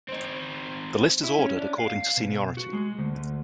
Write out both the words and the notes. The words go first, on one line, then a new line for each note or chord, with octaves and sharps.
The list is ordered according to seniority.
C4 D#4
E4
C#4
D4
F5
B2
F#4
G#3
D2
D2